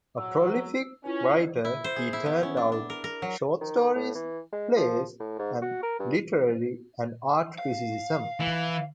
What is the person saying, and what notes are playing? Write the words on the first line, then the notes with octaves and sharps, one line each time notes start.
A prolific writer, he turned out short stories, plays, and literary, and art criticism.
F#3 E6
C#4 E4 F4 B4
E4
C5
G#4
E4
B3
C#4
D4
D4
A#4
A#4
F#3
D#3
A2
E3
G#3
F3
A2
G#2
F#4
A#4
G2
F5
E3